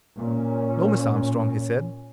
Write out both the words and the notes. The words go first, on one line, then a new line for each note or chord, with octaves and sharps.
"No, Miss Armstrong," he said.
A#2 C#4